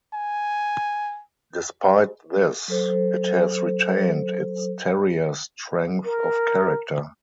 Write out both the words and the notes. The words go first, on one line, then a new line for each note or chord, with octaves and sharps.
Despite this, it has retained its terrier strength of character.
G#5
F#3 A4 C5
A#4